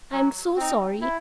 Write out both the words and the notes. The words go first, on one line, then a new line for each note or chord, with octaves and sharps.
I'm so sorry.
F#3
C4 D#4
E4